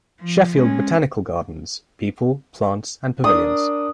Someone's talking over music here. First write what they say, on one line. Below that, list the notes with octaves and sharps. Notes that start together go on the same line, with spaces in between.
Sheffield Botanical Gardens: People, Plants and Pavilions.
F3
G#3 C#4
D4 A#4 D#6